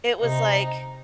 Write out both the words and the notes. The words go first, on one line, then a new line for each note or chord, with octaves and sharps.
it was, like
C3 D#4